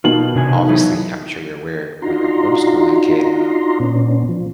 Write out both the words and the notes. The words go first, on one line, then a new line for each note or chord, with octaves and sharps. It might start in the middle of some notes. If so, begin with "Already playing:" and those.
obviously, I'm sure you're aware, when you're homeschooling a kid,
B2 D#3 F4 F#7
C3 D4 G#5
F#3 D#4 E4
D4 D#4 F4 F#4 A#5 C6
A#2 B3 C#4 D4
F3